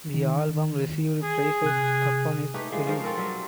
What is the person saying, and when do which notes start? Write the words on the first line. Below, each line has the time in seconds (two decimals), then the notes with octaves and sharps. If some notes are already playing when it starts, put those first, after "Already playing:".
The album received praise upon its release.
0.14 D#3
1.23 G#4
1.64 C3 F#6
2.54 A3 D#4 G4 B4
2.72 F3 G#3
2.86 F3 C#4 A#4 C5
3.04 C4 F4 A4 A#4
3.17 F#3 G3